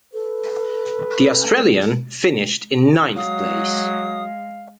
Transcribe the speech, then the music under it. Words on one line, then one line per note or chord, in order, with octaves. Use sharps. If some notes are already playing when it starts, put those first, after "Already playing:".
The Australian finished in ninth place.
A4 B4
F#3 G#3 F5 D#6